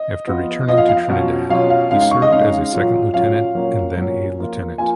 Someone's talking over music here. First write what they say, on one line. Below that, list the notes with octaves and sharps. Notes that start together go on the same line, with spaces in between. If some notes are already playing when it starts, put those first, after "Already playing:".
After returning to Trinidad he served as a second lieutenant and then a lieutenant.
Already playing: D#5
F3 B3 F4
F3 B3 F4 D#5
F5
F5
B2 F#3 C#4 F4
B2 F#3 C#4 F4 F5
F5
C#3 G#3 D#4 F5
F5
C#6
D#5
C#3 G#3 D#4 F5
A#2 F#3 C#4 F4
A#2 F#3 C#4 F4 F5
A#2 F#3 A#3 C#4
A#2 F#3 A#3 C#4
F3 A#3 F4
F3 A#3 F4 G#5